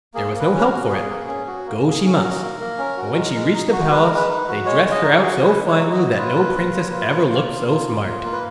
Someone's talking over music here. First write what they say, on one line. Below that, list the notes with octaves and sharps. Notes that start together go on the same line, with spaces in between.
There was no help for it, go she must; and when she reached the palace, they dressed her out so finely that no princess ever looked so smart.
A#3 G#4
A#3
B4
C#4
B4
A#4
F#4
A#3 G#4
A#3
C#4
F#4
A#3
A#3
G#4
C#4
A#4
F#4
A#3
A#3
C#4
F#4
G#3
G#3
D#4
F#4
G#3 B4
A#4
G#3
B4
D#4
F#4
G#3 C#5
G#3
D#5
D#4
G#4
F#4
G#3 B4
G#3
C#5
D#4
D#5
F#4
F4 B4
A#3
F4
A#3
F4
A#3
F4
A#3
F4
A#3
F4
A#3
B4